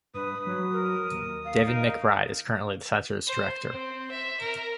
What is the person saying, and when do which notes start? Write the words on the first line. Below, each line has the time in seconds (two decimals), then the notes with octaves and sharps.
David McBride is currently the center's director.
0.14 G2 B4 D#6
0.47 F#3
0.72 A#4
1.11 D#2
1.45 F5
1.66 D#4 A#4
3.27 C5
3.71 C4
4.11 E5
4.40 A#4